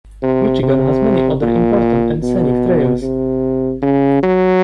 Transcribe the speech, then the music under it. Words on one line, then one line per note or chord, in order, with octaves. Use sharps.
Michigan has many other important and scenic trails.
C3
C3
A#2
B2
C3
C#3
F#3